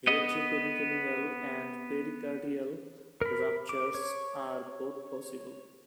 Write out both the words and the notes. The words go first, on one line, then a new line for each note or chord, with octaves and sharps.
Retroperitoneal and pericardial ruptures are both possible.
B3 D#5
A#4 B5
D6
C#5